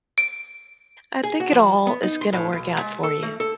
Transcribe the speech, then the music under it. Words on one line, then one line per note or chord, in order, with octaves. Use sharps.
I think it all is gonna work out for you.
D7
G#4
F#4
F3
B3
D#4
C6
A2
B1
G#3
A4
A3
A4